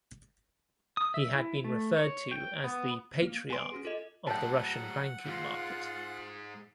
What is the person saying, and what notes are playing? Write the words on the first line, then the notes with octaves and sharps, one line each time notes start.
He had been referred to as the "Patriarch" of the Russian banking market.
D#6
E5
E4
A3
C#5
G5
B3
A#3
B3 G#5 C6 D7
C#4 F#4 G#4
F4 A4 D#5
A2 F#3 F#5 G5 A5
G#2 G#3 F4